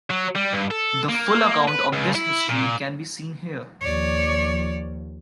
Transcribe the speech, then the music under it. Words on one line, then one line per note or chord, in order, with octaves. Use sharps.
The full account of this history can be seen here.
F#3
G3
G2
A4
A#3
B4
C#2
E4
A#2
D#2 F3 C#5 D5